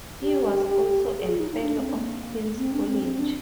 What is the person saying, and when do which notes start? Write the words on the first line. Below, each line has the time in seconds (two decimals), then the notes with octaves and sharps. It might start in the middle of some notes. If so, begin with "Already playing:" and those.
He was also a Fellow of Queen's College.
0.22 G4
1.17 G#4
1.29 F4
1.40 D#4
1.51 D#4
1.63 D4
1.78 C4
1.95 A#3
2.57 C4
2.73 D4
2.89 C4
3.03 C4
3.19 D4